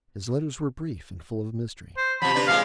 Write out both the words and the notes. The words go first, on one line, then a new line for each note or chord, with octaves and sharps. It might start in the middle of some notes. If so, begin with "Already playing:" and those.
His letters were brief and full of mystery.
C5
C3 F3 B5
C3 D4 B4
A#2 F3 G#3 F5